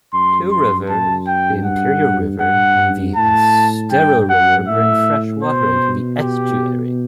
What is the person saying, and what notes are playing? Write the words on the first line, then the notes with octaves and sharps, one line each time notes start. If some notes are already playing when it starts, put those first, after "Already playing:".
Two rivers, the Imperial River and the Estero River bring freshwater into the estuary.
F#2 C6
C6
F#2 A5
G5
G2 F#5
G2 F#5
A2 A5
G2 G5
F#2 F#5
A2 E5
B2 C5
G4